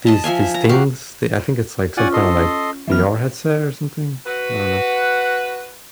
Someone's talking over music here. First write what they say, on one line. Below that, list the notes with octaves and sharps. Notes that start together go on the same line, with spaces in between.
these these things the I think it's, like, some kinda, like, VR headset or something? I don't know,
D#5 A5
F3 E5 F5 G#5
A#5
F#4 G4 F5
C#4 F4 D5 F#5 G#5
A4 D#5 C6
E3 B3 F6
F#4 B4